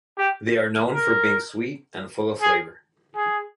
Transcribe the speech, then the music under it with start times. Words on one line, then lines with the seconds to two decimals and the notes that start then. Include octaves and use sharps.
They are known for being sweet and full of flavour.
0.18 G4
0.93 A#4
2.41 G#4
3.16 G#4